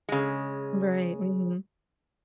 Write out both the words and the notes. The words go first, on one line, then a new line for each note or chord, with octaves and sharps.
Right, mhm.
C#3 G#3